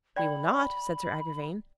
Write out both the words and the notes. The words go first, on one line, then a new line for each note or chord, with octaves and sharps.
"We will not," said Sir Agrivain.
D5 G5 B5